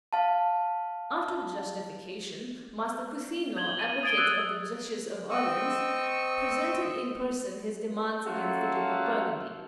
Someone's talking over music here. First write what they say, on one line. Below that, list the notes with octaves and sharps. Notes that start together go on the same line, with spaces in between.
After the justification, Master Cousinot, advocate of the Duchess of Orleans, presented in person his demands against the Duke of Burgundy.
F5 A5
G6 G#6 F#7 G7
D#7
D#6 G#6 A6 D7 D#7 G7
D#6 E6 F#6 G#6
C4 D#5 C#6 E6
A#3 C#4 F4 F#4 A4 E5